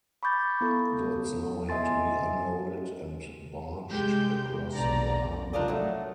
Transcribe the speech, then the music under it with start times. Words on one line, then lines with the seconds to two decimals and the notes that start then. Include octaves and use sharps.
Goods now had to be unloaded and barged across the harbor.
0.23 B5 C#6 D6 G6 A6
0.61 B3 E4 A4
1.69 D#5 E5 G#5 C6 A6
3.92 C2 G#3 G4 G5 G6
4.73 B1 D3 D5 A#5
5.53 D4 D#4 F4 A#4 D5 D#5
5.68 F#3 A3